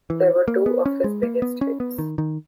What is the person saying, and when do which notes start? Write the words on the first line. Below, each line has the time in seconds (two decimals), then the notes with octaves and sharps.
They were two of his biggest hits.
0.10 E3
0.48 A#3
0.66 B3
0.86 C#4
1.04 G#3
1.23 A#3
1.42 B3
1.61 C#4
1.80 B3
1.98 D#3
2.18 D#3